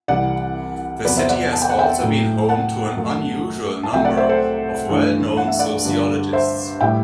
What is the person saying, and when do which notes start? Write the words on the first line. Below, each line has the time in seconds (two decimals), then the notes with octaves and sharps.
The city has also been home to an unusual number of well-known sociologists.
0.08 C2 C3 E3 G3 D5 F#5
1.05 E2 C3 F#3 B4 D5
1.17 C5 E5
1.29 D5 F#5
1.53 A5
1.62 G5
1.70 F#5
1.78 E5 G5
2.01 A2 F#3 A3
2.49 F#5 A5
2.97 F#2 F#3 A3
3.83 A5
3.92 C2 C3 F#3 A3 E5 G5
4.05 D5 F#5
4.17 C5 E5
4.29 A4 C5
4.89 G2 E3 A3
5.37 F#5
5.48 E5
5.59 D5 F#5
5.85 G2 D3 G3
6.33 C5 E5
6.81 A2 G3 E5 G5